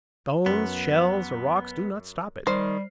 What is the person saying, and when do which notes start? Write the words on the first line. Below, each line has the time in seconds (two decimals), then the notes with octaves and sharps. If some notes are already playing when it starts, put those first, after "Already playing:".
Stones, shells, or rocks do not stop it.
0.46 F#2 B3
2.47 D#3 G3 C5 F6 C7